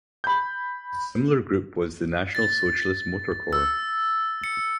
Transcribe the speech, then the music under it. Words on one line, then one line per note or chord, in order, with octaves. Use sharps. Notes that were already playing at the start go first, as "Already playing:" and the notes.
A similar group was the National Socialist Motor Corps.
B5 G6
A6
E6
C#7